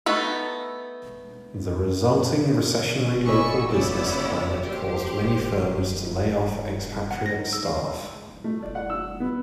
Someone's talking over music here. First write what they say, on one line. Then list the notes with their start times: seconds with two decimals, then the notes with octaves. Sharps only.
The resulting recessionary local business climate caused many firms to lay off expatriate staff.
0.06 A3 B3 D#4 A4
3.24 D5 D#5 G#5 B5 C#6 E6
3.68 C#3 B3 E4 C#5 D5 E6
4.63 G4 C5
7.11 F#5
7.26 A#6
7.39 D#4
7.53 E6
7.66 F5
8.44 A3
8.62 D5
8.75 F#5
8.90 E6
9.20 B3